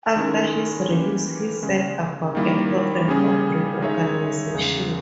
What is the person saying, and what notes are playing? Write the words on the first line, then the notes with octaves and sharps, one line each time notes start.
After his release, he set about a programme of reorganisation.
D#3 G#3 C#4 E4 A#4
E3 A#3 C#4 G4 B4
C#3 G#3 C#4
D#3 G3 A#3 E4
C#3 G3 C#4 G#4
G#3 D#4 G#4 C#5 E5
E2 C#3 G#3